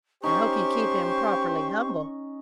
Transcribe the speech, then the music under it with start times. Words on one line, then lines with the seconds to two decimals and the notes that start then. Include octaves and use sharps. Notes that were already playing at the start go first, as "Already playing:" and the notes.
I hope you keep him properly humble.
0.23 C#4 D#4 G4 C5 C#6